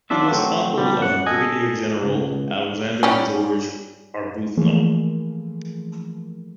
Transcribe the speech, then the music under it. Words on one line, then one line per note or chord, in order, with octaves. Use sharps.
He was uncle of Brigadier-general Alexander George Arbuthnot.
F#3 D4 F4 E5
F#3 A3 C4
D3 G3
F#2 F#5
A4 D#5 G#5
C#2
G3 C#4
E3 F3 A3 A#3 G#4